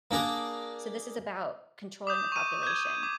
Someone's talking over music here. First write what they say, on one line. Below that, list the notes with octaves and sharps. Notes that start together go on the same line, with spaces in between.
So, this is about controlling the population.
A#3 D4 G#4 A#4
D6 D#6 G6
C#6 D#7
G6 G#6
D6